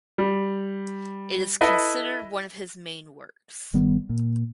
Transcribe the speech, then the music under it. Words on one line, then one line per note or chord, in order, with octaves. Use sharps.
It is considered one of his main works.
G3
E4 A4 B4 D#5 E5
G1 D#3 G3 B3
A#2